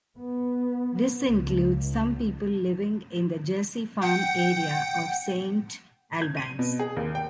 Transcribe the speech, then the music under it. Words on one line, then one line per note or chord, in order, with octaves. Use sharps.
This includes some people living in the Jersey Farm area of Saint Albans.
B3
C#2
F#5 G5
G#6
D#7
B2
G#4
D#2
G5